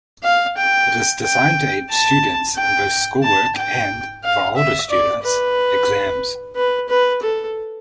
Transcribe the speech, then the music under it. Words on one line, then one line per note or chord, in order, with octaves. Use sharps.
It is designed to aid students in both schoolwork and, for older students, exams.
F5
G5
G5
A5
G5
A5
G5
F5
E5
D5
B4
B4
B4
A4